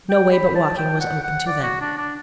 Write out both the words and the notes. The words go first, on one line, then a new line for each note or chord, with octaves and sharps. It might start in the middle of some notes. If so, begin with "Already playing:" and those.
No way but walking was open to them.
G5
B5
A5
G5
F#5
F#5
D5
F#4
D4
D4